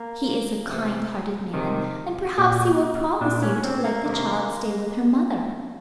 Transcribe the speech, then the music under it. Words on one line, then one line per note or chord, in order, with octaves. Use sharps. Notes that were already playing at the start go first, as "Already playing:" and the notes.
He is a kind-hearted man, and perhaps he will promise you to let the child stay with her mother.
Already playing: A#3
C3 E3
C3 D#3
A#2
A#2 D4
C#4
C#4
C4
A#3
C3 D#3 A#3